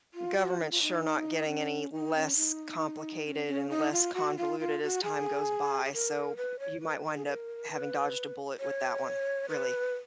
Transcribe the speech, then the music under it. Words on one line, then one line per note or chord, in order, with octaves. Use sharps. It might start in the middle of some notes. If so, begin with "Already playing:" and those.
government's sure not getting any less complicated and less convoluted as time goes by, so, you might wind up having dodged a bullet with that one really.
F4
F#4
D#4
F4
D#4
C#4
D#4
C#4
D#4
C#4
C#4
D#4
F4
F#4
F4
F4
F#4
G#4
G#4
A#4
B4
C#5
B4
A#4
G#4
A#4
B4
C#5
B4